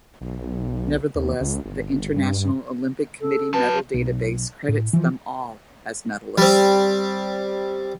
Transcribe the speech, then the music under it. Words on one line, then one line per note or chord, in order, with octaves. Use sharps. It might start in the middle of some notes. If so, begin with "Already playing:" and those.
Nevertheless, the International Olympic Committee medal database credits them all as medalists.
B1
D#2
C#2
G1
G2
A4
F#3 B4 A5
B1
A2
E3 F3
G3 C4